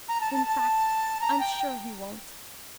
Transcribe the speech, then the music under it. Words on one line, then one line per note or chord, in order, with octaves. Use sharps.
In fact, I'm sure he won't.
A#5
A5
A5
A5
A#5
G5